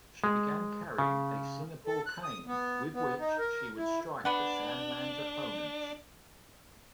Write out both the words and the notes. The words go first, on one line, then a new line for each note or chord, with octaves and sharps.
She began carrying a Singapore cane with which she would strike The Sandman's opponents.
G#3
C#3
A4
F#6
D#6
B3
B3
D#4
A#4
E4
B3 D4 B4 F#5